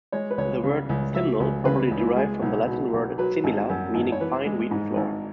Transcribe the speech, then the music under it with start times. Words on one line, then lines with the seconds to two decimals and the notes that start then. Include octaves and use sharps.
The word "simnel" probably derived from the Latin word "simila", meaning fine, wheaten flour.
0.12 G#3 C#5
0.31 B4
0.38 C#2 C#5
0.64 C#3
0.89 C#2
1.15 F#3 E5
1.40 C#2
1.65 C#3 B4
1.91 C#2
1.98 E4
2.07 F#4
2.16 G#3 G#4
2.42 B1
2.67 B2
2.93 B1
3.18 F#3 B4
3.44 G#1
3.69 F#2
3.94 G#1
4.12 C#5
4.21 E3 B4
4.46 G#3
4.71 G#2
4.96 G#1